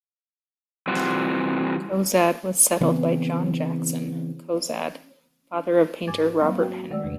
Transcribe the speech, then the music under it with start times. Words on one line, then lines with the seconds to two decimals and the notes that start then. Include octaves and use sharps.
Cozad was settled by John Jackson Cozad, father of painter Robert Henri.
0.88 E3 G3 C4 F4 F#4
2.81 C#3 E3 B3 C4
6.07 G#2 G#5 D6 G#6 A6
6.40 F#3 G3 A#3 C4
6.59 F#4 G5
6.91 D#3 G#3 A3 D5 E6
7.04 E2 C#3